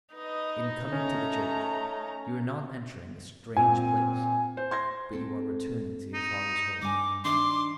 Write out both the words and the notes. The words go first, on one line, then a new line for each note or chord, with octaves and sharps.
In coming to the Church, you are not entering a strange place, but you are returning to your Father's home.
D#4 B4 D#5
A3 C#4 A#5
A#2 C4 G#5
C5
C6 G#6 A#6
C4 A4
D#4
G2 G3 G#5 D6
D#3 D4 E5 C6 D6